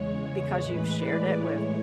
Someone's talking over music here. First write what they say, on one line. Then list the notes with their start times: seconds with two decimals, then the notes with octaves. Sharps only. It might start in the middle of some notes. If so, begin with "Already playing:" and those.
because you've shared it with
Already playing: E2 C#3 G#3 C#5
0.60 A2 E3 G#3 B4
0.97 D5
1.34 A2 E3 G#3 C#5